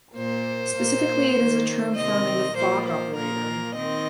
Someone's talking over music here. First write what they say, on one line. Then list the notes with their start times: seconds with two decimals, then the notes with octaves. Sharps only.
Specifically, it is a term found in the Fock operator.
0.16 A#2 A#3 C5
0.76 A#2 A#3
1.36 D#3 A#3
1.95 C3 D#3 C4 D#5
2.56 A#2 F3 A#3 C5
2.86 C5
3.16 A#2 F3 A#3 A#4
3.75 D#3 C4 D#5